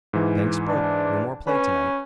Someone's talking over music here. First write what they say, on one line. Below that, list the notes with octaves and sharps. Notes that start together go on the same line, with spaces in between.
The bank's broke; no more play to-night.
G#2 E3
D4
C#4 B4